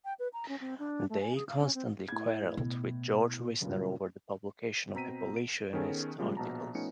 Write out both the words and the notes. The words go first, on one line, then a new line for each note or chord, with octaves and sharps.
Day constantly quarreled with George Wisner over the publication of abolitionist articles.
G5
B4
A#5
C#4
C4
D4
A3
G#5
G#4
F5
C#4
C4
A2 G#6
B2
F#1 G2 A#2
B2 C4 A#5 B6 D#7
D7
D#3 B3 C#4 G#4 A4
A#2 C#3 F3 G3 G#3 A#3
A#1 B2 A5 A#5
F3 A3 B3 C#4 D#4 C#7